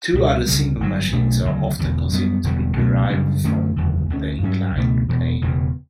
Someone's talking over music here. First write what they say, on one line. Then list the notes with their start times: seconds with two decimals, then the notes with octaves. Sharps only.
Two other simple machines are often considered to be derived from the inclined plane.
0.13 C#2 B2 G3
0.47 C#2 C#3 G3
0.80 G1 G2 D3 F#3
1.12 B1 B2 A3 D4
1.45 D2 C#3 F#3
1.79 E1 E2 D3
2.12 F#2 E3 G3 B3
2.44 E1 E2 D3 G3
2.78 C#2 B2 F#3 A3
3.10 F#2 C#3 G3 D4
3.44 F#2 D3 A3 C#4
3.76 F#1 E2 D3
4.10 D2 D3 G3 C#4
4.43 G2 F#3 C#4
4.76 C#2 B2 A3
5.09 E1 E2 B2
5.42 E1 E2 C#3 E3